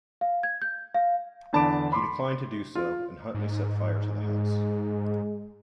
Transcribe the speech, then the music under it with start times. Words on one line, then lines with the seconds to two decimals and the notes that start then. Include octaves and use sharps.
He declined to do so, and Huntly set fire to the house.
0.21 F5
0.43 G#6
0.62 G6
0.95 F5
1.53 E2 D3 A5 B5 D6 D7
1.92 B5 C6 D6
2.75 F4
3.34 G#2
4.19 G#3